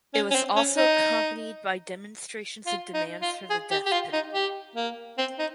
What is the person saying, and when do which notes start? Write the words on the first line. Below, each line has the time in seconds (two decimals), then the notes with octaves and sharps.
It was also accompanied by demonstrations and demands for the death penalty.
0.14 C#4
0.31 C#4
0.35 C4
0.56 C#4
0.77 D#4
2.66 F4
2.94 D#4
3.22 F4
3.50 G#4
3.71 G4
3.86 G4
3.92 F4
4.13 D#4
4.34 G4
4.76 A#3
5.18 C4
5.39 D#4